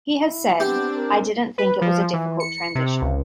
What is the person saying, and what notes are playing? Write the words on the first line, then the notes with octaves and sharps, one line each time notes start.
He has said:I didn't think it was a difficult transition.
E4
B3 C4 D4 G4
A#4
B4
F3
E3
C#7
C3
C#2